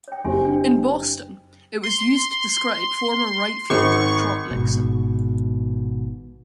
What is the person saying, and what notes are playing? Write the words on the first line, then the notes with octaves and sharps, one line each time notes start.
In Boston, it was used to describe former Right Fielder Trot Nixon.
C#5 G5
F#1 C4 F#4 G4 G#5
D4 G5
C6
G#1 C#6
G#1 G#2 B2